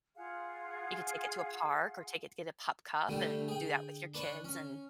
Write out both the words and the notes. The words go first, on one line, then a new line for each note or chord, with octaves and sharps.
you could take it to a park or take it to get a pup cup, and do that with your kids, and,
F4 G#4 F5 F#5
D3 G3 A3 G4
G#4 G5
D4 B4 C#5
C#4